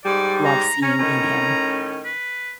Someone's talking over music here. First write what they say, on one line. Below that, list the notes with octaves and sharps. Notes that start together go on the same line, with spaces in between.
love seeing in him.
G#2 G3 D5
A#5
C#4 A#5
A2 D#3 C#4
B4